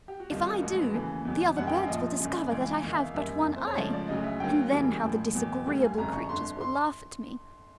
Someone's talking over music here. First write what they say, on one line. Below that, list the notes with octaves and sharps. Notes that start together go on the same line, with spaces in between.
If I do, the other birds will discover that I have but one eye, and then how the disagreeable creatures will laugh at me.
G4
F#4
C2 C3 D#3 G3 A#3 F4
F#4
A1 G#2 F3 F#4
B4
D#2 C#3 E3 A3
E2 B2 F#3
F#2 D#3 G3 F#5
G5
F5
A#1 A#2 F3 D#5
G1 F#2 C#3
C#2 C3 E3 F5
E2 C3 D#3 F5
E5
F5
F#2 D#3 G3 A#3 E5
F#1 F2 C3
C5
C#5
C#2 C#3 F3 A3 D5
D5
D2 C#3 F#3 D#5
E5
D2 D3 F#3 A#3 G5
E1 D#2 C#3 E3 G3
A1 A2 F3
E2 B2 F#3 A#3
D2 D3 G3 A#3
G#5
G1 F2 C#3 F3 A#5
C#6
G1 F2 D3 C6
C6